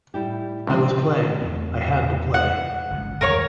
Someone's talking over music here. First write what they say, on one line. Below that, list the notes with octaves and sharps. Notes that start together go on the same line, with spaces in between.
I was playing, I had to play.
A2 G3 E4 G4
C#2 D3 F3 C4
E2 A3 C4
F#5
G1 C#2
G#1 E2 G3 A#4 C#5 C#6